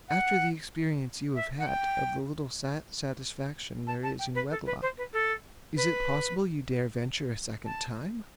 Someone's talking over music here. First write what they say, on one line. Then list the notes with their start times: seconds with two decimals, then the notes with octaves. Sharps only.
After the experience you have had of the little satisfaction there is in wedlock, is it possible you dare venture a second time?
0.09 F#5
1.35 E5
1.59 F#5
1.67 G5
3.87 A5
4.03 A5
4.19 G5
4.35 B4
4.50 A4
4.66 B4
4.82 C5
4.97 B4
5.13 A4
5.76 B4
7.65 A5